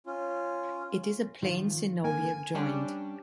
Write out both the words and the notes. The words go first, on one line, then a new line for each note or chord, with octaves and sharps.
It is a plane synovial joint.
C#4 F4
D#3 F3 F4
D3 A#3 G#5
G3 C#4 D4 G4